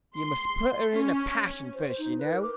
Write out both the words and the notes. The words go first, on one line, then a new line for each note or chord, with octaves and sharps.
You must put her in a passion first, you know.
C6
C#4
C5
D#4
B4
A#4
D6